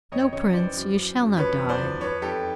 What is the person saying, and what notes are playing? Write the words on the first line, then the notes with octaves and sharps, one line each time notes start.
'No, Prince, you shall not die.
F2 C#5 D#5
C#3 C#5 D#5
E3 C5 D5
F#2
F#2
F#2
F3 B4 C#5
E2
C5 D5
F3
F3 B4 C#5
F2 G4 A4